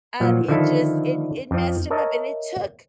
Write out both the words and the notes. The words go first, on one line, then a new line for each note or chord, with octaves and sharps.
and it just it it messed him up and it took
A#2 F3 F#3
D3 D#3 F3 E4 A4
F2 F3
A#4 C#5 D#5 E5 A5 A#5